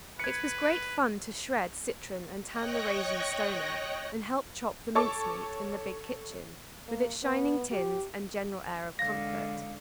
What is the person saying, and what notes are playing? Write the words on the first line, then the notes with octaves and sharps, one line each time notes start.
It was great fun to shred citron and turn the raisin-stoner, and help chop the mince-meat, in the big kitchen, with its shining tins, and general air of comfort.
B4 G#6 C#7
C#5 D#5 G5 C#6 F#6 A#6
A4 C#5 A5 C#6 D6
A#3
B3
G4
D3 G#3 F5 A#6